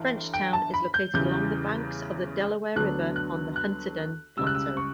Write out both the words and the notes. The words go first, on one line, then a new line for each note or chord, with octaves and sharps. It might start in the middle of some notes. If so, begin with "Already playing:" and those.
Frenchtown is located along the banks of the Delaware River on the Hunterdon Plateau.
Already playing: G1 G2 E3
G5
A5
B5
G6
E2 C#3 E3 G3 G6
D2 D3 F#3 B3 D4 F#6
F#6
F#6
C#2 C#3 G3 E6
F#6
E6
C#6